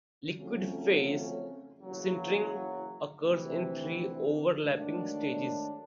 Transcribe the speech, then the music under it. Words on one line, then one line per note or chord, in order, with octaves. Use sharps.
Liquid phase sintering occurs in three overlapping stages.
F2 C#3 F#3 A3 C#4
F#1 E2 C#3 F#3
D2 C3 E3
G#2 D#3 F#3 A3 D4